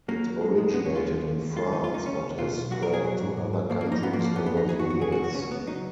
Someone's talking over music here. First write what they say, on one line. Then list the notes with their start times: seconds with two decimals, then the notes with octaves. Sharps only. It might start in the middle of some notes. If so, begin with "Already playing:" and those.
It originated in France but has spread to other countries over the years.
0.08 F#3 A#3
0.25 F#3
0.41 G#3
0.58 G#3
0.74 G#3 B3
0.85 C#4
0.90 C#2
0.96 F4
1.07 D#2
1.24 D#2
1.40 D#2
1.56 G#3 F4
1.72 C#2 D#4
1.84 F4
1.89 C#2
1.94 D#4
2.06 C#2 C#4
2.22 C#2
2.38 B1 F4
2.55 B1
2.71 F#3 F#4
2.83 A#4
2.87 B2
2.94 G#4
3.04 F#3
3.21 G#2
3.37 G#2
3.53 F#3
3.70 F3 A#3
3.81 A#3
3.86 G#2
3.92 D#4
4.03 F3 B3
4.13 A#3
4.19 F3
4.24 A#3
4.35 F#2 B3
4.47 B3
4.52 F#2 D#4
4.68 F#2 G#4
4.79 F#4
4.85 F#2
4.90 F#4
5.01 C#3 G#4
5.12 F#4
5.18 C#2
5.24 F#4
5.34 C#2 C#4
5.51 C#2 B3
5.67 F#3 D#4